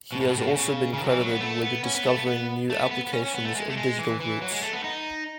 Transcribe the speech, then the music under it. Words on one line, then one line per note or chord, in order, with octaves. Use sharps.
He has also been credited with discovering new applications of digital roots.
B2
A2
B2
A2
B2
C#3
C#3
D#3
F#3
E3
F#3
B3
A3
B3
C#4
B3
A3
B3
B3
A3
B3
B3
B3
C#4
C#4
B3
A3
G#3
A3
G#3
E3
E3
F#3
G#3
A3
B3
D#4